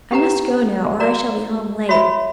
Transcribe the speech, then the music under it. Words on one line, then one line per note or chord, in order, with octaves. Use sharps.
I must go now or I shall be home late.
C#4 G4 B4 F#5 A#5
F#4 A#4 D5 A#5
F#4 C#5 E5 B5